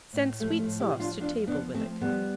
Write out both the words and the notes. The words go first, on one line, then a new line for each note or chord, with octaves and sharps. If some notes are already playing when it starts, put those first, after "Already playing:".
Send sweet sauce to table with it.
A2
F3 A3
A3
A2
E4 G4
F3
D4 F4
E2 D4 F4
F3 B3 D4
F3 A3 C4
E2 G3 B3